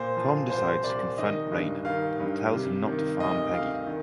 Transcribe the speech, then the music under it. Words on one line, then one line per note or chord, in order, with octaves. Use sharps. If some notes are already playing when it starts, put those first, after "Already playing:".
Tom decides to confront Raynor and tells him not to harm Peggy.
Already playing: A#2 C5
F3
C2 C5
C2 D5
D#3 D#5
G2
D#3 F5
G2
C3
D#3
D2 D#5
D2 F5
D#3